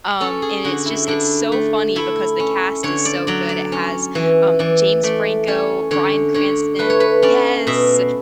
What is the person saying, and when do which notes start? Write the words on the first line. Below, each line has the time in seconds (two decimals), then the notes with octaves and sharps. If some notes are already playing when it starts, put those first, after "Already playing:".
um, and it's just it's so funny because the cast is so good. It has, um, James Franco, Bryan Cranston yes,
0.20 C#4 A4
0.42 G#4
0.64 D3 F#4
0.86 E4
1.07 D3 D4
1.52 A3
1.96 A3 E4
2.40 C#4
2.83 D3 C#5
3.05 D5
3.27 F#3 D5
3.49 D5
3.72 C#4
4.15 E3
4.59 E3 D5
5.03 A3 D5
5.47 C#4 C#5
5.91 D3 C#5
6.34 D3 C#5
6.79 A3 B4
6.90 C#5
7.00 B4
7.22 C#4 D5
7.67 B2 E5